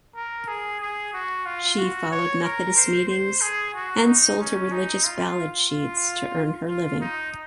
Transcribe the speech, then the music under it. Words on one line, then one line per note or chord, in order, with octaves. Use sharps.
She followed Methodist meetings and sold her religious ballad sheets to earn her living.
A#4
G#4
G#4
F#4
F4
F#4
C#5
A#4
C5
C5
G#4
F#4
D#4
C#4
D#4
F4
F4
F4
D#4